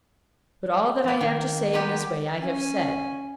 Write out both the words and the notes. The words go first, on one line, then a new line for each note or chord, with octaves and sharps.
But all that I have to say in this way, I have said.
F3 A#3
D#3
F#3 G#3 B3 D#4 G4 G#4
C#4 G#5